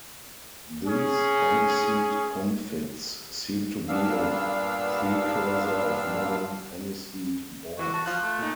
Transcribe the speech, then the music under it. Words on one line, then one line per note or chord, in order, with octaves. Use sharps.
These aniseed comfits seem to be a precursor of modern aniseed balls.
C#4 G#4
G2 A#2 B3 D4 F5 E6
E3 F#4
F#4 A5
F3 F4 F5 F#6
A3
A#2 D#4